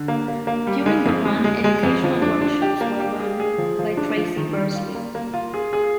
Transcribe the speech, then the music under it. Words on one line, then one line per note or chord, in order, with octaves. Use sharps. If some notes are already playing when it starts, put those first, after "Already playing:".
During the run educational workshops were run by Tracy Bersley.
Already playing: D3
A#3
A#3
A#3
G3
G#3
F2
G#3
G#3
G#3
F2
F3
D4
D4
G4
A#3
G4
G#4
G#4
F3
F3
D4
F3
D#3
G3
F4
A#3
A#3
F4
G#4
G#4